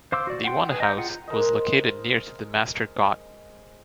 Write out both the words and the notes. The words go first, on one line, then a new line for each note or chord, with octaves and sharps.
The Wand House was located near to the Master Gott.
C5 F5 C6 D6 E6
F#4 D5
F#5 G5 C6
G#4 B4
D#5 A#5 G6
F4 G#4 F#5 G5
G#3 A#4 C5 D#5